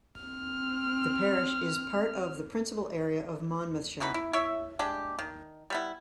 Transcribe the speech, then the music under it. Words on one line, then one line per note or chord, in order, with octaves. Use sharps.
The parish is part of the principal area of Monmouthshire.
C4 F6
B2 E3 D#4 B4
E4
E4 C#5 E5
G#3 D4 G4
D#3
G3 B3 E4